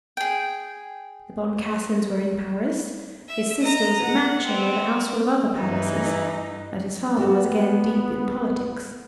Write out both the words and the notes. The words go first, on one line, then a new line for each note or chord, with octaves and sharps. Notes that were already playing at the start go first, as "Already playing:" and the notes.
The Boncassens were in Paris, his sister was at Matching with a houseful of other Pallisers, and his father was again deep in politics.
G#4 G5
E5
D#5 A#5
F#5
B3 C4
G2 E3 D#4
B3 F#4 G4 D5